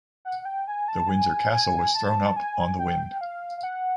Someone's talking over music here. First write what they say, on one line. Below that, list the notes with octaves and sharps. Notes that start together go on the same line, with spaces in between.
The Windsor Castle was thrown up on the wind.
F#5
G5
G#5
A5
G#5
G#5
A5
G#5
G5
F5
F5
F#5